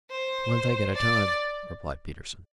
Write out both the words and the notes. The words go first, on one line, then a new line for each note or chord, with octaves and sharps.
"One thing at a time," replied Peterson.
C5
D5